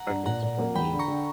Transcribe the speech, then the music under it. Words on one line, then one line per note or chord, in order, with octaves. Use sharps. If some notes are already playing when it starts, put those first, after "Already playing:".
Okay, so, for me,
Already playing: F#5 A#5
G2
A#2 F#5 A#5
A#2
A#3
E2 G5 B5
D3
A#5 C#6
D3